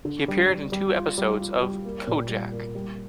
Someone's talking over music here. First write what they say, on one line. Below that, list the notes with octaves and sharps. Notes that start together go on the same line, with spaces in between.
He appeared in two episodes of "Kojak".
D3
G3
G3
G3
F4
G3
F4
G3
A#3
A#2
G3
A#3
G3